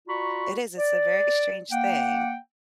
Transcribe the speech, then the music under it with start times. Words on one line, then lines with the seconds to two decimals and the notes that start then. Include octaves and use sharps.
it is, it's a very strange thing.
0.08 F4 F#4 D5 A#5 B5 C#6
0.78 D5
1.72 A#3 F#5 G5